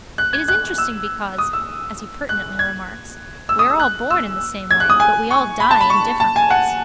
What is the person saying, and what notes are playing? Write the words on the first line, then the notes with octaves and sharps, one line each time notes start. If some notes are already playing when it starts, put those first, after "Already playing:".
It is interesting because, as he pertinently remarks, we are all born in the same way but we all die in different ways.
F#6
G#6
F#6
E6
D#6
E6
F#6
G#6
E6
D#6
E6
F#6
E6
G#6
F#6
D#6
G#5
C#6
B5
A5
B5
C#6
A5
G#5
F#5